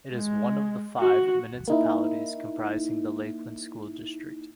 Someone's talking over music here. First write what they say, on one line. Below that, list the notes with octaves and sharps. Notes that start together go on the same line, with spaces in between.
It is one of the five municipalities comprising the Lakeland School District.
G#3
F#4
A#3 D#4 E4